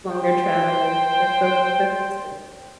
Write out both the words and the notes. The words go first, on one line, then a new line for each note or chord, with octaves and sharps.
along their travel. That's so that's so sweet.
C5 G5